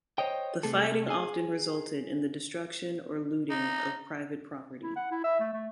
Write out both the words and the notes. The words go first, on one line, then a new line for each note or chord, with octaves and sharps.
The fighting often resulted in the destruction or looting of private property.
C5 C#5 D#5 G5
C3 A3 G#4 A4
G#4 G#5
D#4
E4
F#5
E4
E5
A3
A3